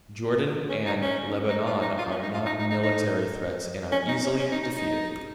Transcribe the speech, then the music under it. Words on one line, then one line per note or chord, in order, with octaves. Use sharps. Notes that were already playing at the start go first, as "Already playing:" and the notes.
Jordan and Lebanon are not military threats and are easily defeated.
C#4
D#4
C#4
D#4
F4
D#4
F4
C#4
D#4
F4
D#4
D#4
D#4
D#4
C#4
D#4
C#4
C#4
D#4
D#4
D#4